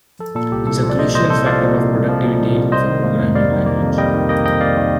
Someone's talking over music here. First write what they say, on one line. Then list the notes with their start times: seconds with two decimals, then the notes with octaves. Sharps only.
It's a crucial factor of productivity of a programming language.
0.19 F3 A4
0.35 A#2 A4
0.52 C2 G4
0.67 C2 A4
0.83 F3
0.90 D5
0.99 A#2 C5 D#5
1.15 C2 C5 D#5
1.30 C2 A4 C5
1.46 F3 D5 F5
1.61 A#2
1.77 C2
1.94 C2
2.09 F3
2.24 A#2
2.41 C2
2.56 C2
2.71 G3 C5 D#5
2.88 D#3
3.04 A#3
3.19 F2
3.35 G3 D5 F5
3.51 D#3
3.66 A#3
3.82 F2
3.98 G3 D#5 G5
4.14 D#3
4.29 A#3 D#5 G5
4.45 F2 D#5 G5
4.61 G3 D5 F5
4.77 D#3